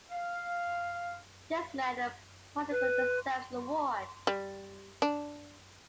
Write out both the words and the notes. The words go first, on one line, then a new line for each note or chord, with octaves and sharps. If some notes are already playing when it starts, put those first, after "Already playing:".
This man in particular deserves an award.
F5
B4
G3
D4